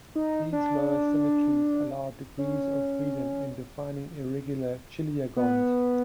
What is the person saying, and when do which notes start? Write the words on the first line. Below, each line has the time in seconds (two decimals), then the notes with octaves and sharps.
These lower symmetries allows degrees of freedom in defining irregular chiliagons.
0.15 D#4
0.53 D4
2.39 C#4
5.36 B3